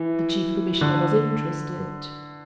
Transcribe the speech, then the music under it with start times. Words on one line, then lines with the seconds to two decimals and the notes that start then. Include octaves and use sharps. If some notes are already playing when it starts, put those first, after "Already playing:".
The Chief Commissioner was interested.
Already playing: E3
0.81 D3